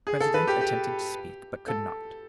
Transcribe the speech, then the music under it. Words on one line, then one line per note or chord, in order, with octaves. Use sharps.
The president attempted to speak, but could not.
G#4
A4
B4
G4
G4
A4